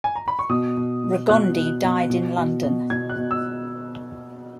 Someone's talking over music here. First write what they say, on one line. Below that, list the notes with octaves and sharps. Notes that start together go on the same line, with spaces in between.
Regondi died in London.
G#5
A#5
B5
C#6
B2 D#6
B2
B2
B2 F#6
B2
B2
B2
B2
B2
B2 G#6
F#6
B2
E6